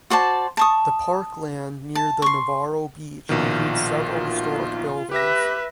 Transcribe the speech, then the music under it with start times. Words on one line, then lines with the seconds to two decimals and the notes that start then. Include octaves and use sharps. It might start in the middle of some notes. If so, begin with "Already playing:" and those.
The park land near the Navarro beach includes several historic buildings.
0.10 F#4 C5 D5 A5
0.57 A5 C#6 D#6
1.95 A5
2.22 C6 C#6
3.29 A#1 B2 D#3 F4
5.11 G4 B4 E5 A#6